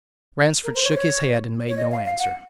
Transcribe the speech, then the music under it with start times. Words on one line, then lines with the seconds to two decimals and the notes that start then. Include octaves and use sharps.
Ransford shook his head and made no answer.
0.64 A#4
0.75 C5
0.84 C#5
0.91 C5
0.95 C#5
1.68 C#5
1.77 D#5
1.92 F5
2.05 F5
2.19 F#5